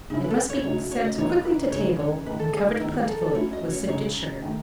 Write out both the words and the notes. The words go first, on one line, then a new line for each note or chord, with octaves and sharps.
It must be sent quickly to table, and covered plentifully with sifted sugar.
C#3 G#3 C#4 D#4 E4
B4
A4
B4
C#5
C#3 F#3 A3 D#4 C#5
C#5
D#5
E3 B3 D#4 C#5
B4
C#3 G#3 D#4 C#5
C#5
D#3 A3 D#4 B4
A4
G#4
D#4
D#3 G#3 B3 D#4 E4
F#4
G#4
A4
A4
F#3 A3 C#4 E4 C#5
D#5
C#5
C#3 G#3 D#4 C#5
D#3 A3